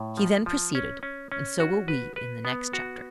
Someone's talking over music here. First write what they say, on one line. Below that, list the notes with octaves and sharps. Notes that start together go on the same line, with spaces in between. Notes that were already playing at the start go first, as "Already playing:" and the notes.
He then proceeded, and so will we in the next chapter.
Already playing: A2
F3
F3
C#4
C#4
C#4
F#4
B4
B4
B3
F#4